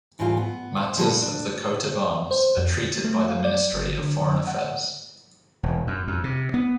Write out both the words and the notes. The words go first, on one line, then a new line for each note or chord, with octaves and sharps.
Matters of the coat of arms are treated by the Ministry of Foreign Affairs.
D2 G#2 E3 G3 F4 F5
B3
C5
F3 G3 A#3 G#4 A4 B4
A#2
D4
C5
F2
A6
A3
F5
D5
G1
D3
D3
F#5
E1
F#2
F2
C3
B3